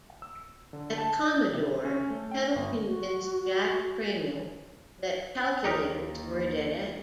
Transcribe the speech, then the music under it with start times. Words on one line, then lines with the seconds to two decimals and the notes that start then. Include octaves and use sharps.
At Commodore, Peddle convinced Jack Tramiel that calculators were a dead-end.
0.22 E6
0.73 D3
0.98 A5
1.24 D5
1.53 C3
1.85 C#4
2.10 A3
2.31 G5
2.56 G1
2.85 F#4
5.64 D#2 D#4 G4 A#4